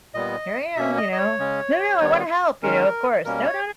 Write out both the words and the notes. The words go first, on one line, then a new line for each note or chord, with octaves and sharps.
here I am, you know? "No, no, I wanna help," you know, of course. "No, no, no,
A#2 G3 B3 D#5
B2 A#3 C#4 E5
D#5
D#5
C#5
C#3 G#3 C#4
D#3 G3 B3
D#3 G#3 C#4 A#4
B2 G3 A#3 C#4 A#4
C#5